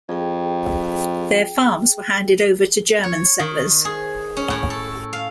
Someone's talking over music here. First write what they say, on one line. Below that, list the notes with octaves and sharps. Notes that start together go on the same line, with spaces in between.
Their farms were handed over to German settlers.
F2 G#4 G5
C#5
D#3
G#4
C#4
A2
A4
F5